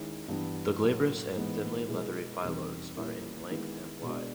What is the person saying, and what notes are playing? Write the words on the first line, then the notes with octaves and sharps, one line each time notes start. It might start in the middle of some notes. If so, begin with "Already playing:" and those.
The glabrous and thinly leathery phyllodes are in length and wide.
Already playing: D#3 G#3 C#4 E4
G2 E3 G3 B3
A2 F#3 A#3
G#2 E3 G#3 B3
B2 G#3 B3 E4 G#4
E2 B2 G3 C4 D#4
A#2 G3 A#3 C#4 E4
D#3 G#3 B3 E4
B2 G#3 B3 D4 F#4